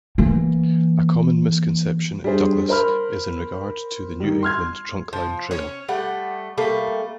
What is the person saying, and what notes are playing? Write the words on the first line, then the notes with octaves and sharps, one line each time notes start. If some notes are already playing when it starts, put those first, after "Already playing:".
A common misconception in Douglas is in regard to the New England Trunkline Trail.
E3 A#3
G3 D4 G#4 C5
A#4 C5 B5 F6
D#3 G3
C6 F6 G#6
F3
C#4 C#5
G3 A3 F#5
G3 A3 A#3